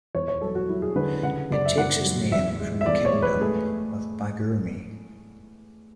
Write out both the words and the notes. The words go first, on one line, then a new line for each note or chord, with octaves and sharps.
It takes its name from the kingdom of Baguirmi.
E2 C#5
C#5
F#3 A4
F#4
F#3 E4
G#4
D3 B4
C#3 F#5
F#1 D5
E5
F#1 F#5
F#3
E2 E5
G#3
E5
E2 D5
C#5
G#3
B4
A3 G#4